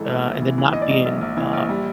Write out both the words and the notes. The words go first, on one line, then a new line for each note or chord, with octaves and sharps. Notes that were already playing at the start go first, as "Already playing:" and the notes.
uh, and then not being, uh
Already playing: G#2 E3 A4
A#1
A#1
E3
E3
E3 D#5
D5
G#2 D#5
A#1
A#1
E3
A#1
G3